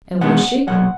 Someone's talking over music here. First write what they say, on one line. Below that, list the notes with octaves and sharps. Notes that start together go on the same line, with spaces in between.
"And was she?"
B2 G#3 B3 D4 F#5
B1 A#2 F#3 F#5